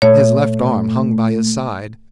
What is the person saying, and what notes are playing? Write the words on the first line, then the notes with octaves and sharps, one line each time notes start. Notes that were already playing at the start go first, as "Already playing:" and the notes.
His left arm hung by his side.
A#2 A3 C#5